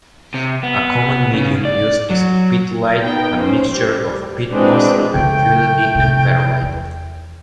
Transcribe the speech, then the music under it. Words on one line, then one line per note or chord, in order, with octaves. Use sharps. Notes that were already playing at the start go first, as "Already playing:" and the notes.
A common medium used is 'peat-lite', a mixture of peat moss, vermiculite, and perlite.
C3
B3
C#3
D5
F#3
B3 D#4 G5
C#4 C5
G3
E3 G#3 C4 D4 F#4 B4
C#3 F#3 A3 G5
C3 F3
E2